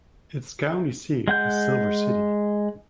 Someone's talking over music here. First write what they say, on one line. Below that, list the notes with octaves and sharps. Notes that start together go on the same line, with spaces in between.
Its county seat is Silver City.
G#3 F#5 G6